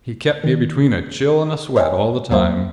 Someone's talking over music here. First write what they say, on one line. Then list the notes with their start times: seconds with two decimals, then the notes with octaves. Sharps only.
He kept me between a chill and a sweat all the time.
0.44 D#3
1.76 C5 C#5 D#5 E5 G5 G#5
2.30 D#2 F#3 A#3 C5 E5